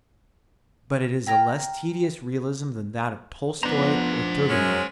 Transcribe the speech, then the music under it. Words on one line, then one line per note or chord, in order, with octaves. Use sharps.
But it is a less tedious realism than that of Tolstoy or Turgenev.
G5 G#5 A#5 F6
F3 B3 D4 C5 F#5 A#5
F#2 G#3 C#4